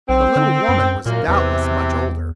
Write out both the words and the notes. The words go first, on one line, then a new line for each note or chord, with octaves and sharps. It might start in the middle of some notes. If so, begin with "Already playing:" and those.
But the little woman was doubtless much older.
B1 C4
D3
F#2
F#2 A#2 A#3
E2 C3 E3